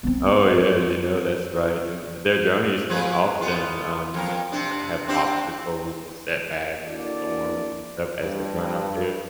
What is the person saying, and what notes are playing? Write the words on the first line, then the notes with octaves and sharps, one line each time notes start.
Oh, yeah, you know, that's right. And and their journeys can often, um, r have obstacles and setbacks and storms and stuff as they run out there.
B3 C4
F3 G#4 B4
B3 F4
F2 A#4
C3 D4
C4 D4 G4
A#3 D4 E4 F#4 A4 D5
G2